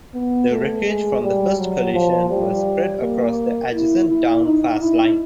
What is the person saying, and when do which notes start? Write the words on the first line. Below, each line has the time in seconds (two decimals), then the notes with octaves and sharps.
The wreckage from the first collision was spread across the adjacent down fast line.
0.15 B3
0.50 A3
0.86 G#3
1.23 G3
1.58 F#3
1.94 F3
2.30 G3
3.01 A#3
3.73 E4
4.09 E4
4.45 D#4
4.81 E4